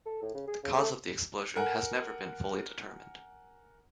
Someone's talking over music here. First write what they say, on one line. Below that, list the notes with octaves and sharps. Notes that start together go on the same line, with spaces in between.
The cause of the explosion has never been fully determined.
A4
A2
C#3
G#4
C#3
A3
A#4 F#5 G#5